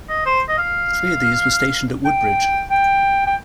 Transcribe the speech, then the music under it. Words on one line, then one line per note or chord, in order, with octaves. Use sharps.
Three of these were stationed at Woodbridge.
D#5
C5
D#5
F5
G5
G5
G5